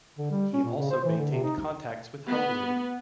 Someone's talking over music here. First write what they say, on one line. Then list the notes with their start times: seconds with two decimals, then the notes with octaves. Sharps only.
He also maintained contacts with Hungary.
0.18 D3
0.31 G3
0.53 C#4
0.64 A#2
0.77 C#3
0.91 C5
1.04 E3
1.17 D3
1.31 C3
1.44 D#4
2.29 B3